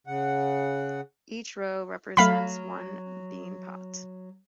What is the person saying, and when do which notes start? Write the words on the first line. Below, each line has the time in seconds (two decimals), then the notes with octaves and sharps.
Each row represents one Beanpot.
0.07 C#3 F#5
2.17 F#3 A3 F5 B5